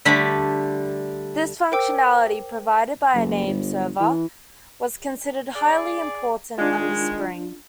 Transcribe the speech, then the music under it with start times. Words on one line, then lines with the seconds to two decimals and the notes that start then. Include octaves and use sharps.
This functionality, provided by a name server, was considered highly important under Spring.
0.05 D3 G3 A3 A5 B5
1.72 A#4 C5 G5 D6 E6
3.14 F#1
3.47 G1
4.00 E3
5.54 G#4 D5
6.58 D#3 G#3 D4 F4